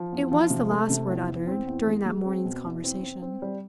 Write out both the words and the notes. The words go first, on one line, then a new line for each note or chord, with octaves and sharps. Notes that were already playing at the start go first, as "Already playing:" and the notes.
It was the last word uttered during that morning's conversation.
Already playing: F3
E2
F3
C3
A3
C3
E2
E2
C4
E2
G#3
G#3
C4
B2
E2
C4
C4
C4
G3